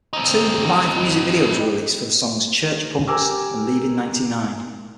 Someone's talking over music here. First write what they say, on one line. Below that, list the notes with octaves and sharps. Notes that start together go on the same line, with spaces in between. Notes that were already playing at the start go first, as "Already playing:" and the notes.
Two live music videos were released for the songs "Church Punks" and "Leaving Ninety-Nine".
C4 D#4
G4 A#4 G#5 A#5 D6 E6